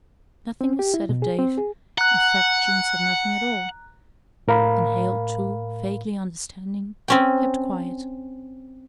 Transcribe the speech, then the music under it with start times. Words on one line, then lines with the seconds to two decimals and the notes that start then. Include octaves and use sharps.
Nothing was said of Dave--in fact, June said nothing at all, and Hale, too, vaguely understanding, kept quiet.
0.61 C4
0.79 G4
0.94 E4
1.09 B2
1.22 G#4
1.39 C4
1.58 G#4
1.98 F#5 A#5 F#6
4.48 A2 A#4 F5 B5
7.08 C4 C#4 G5